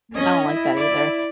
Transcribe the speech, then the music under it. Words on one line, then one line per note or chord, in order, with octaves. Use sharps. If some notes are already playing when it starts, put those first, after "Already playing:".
I don't like that either.
C#4 D#5
E4
D5